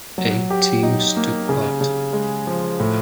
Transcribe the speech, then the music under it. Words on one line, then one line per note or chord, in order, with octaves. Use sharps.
Eight teams took part.
F#3
G4
D#4
A#3
C#3
C#3
G#3
F3
A2